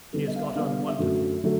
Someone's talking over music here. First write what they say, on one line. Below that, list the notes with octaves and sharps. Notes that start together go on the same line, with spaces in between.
She has got on wonderfully.
D3 G3 B3 D4 A4
D#5
F5
E5
D3 G3 B3 D4 F5
F5
E5
F#2 D3 F#3 A3
D3 F#3 A3